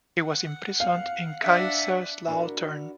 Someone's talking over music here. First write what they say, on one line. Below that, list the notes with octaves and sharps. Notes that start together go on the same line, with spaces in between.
He was imprisoned in Kaiserslautern.
F#5
F5
D4 E5 F#5
D4 E4 F#4 G#4 A#4 D5